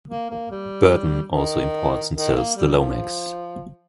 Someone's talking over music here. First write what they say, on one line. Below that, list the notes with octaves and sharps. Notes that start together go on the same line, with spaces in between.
Burton also imports and sells the Lomax.
A#3
A#3
G3
D#3
D#3
A#3
G3
F3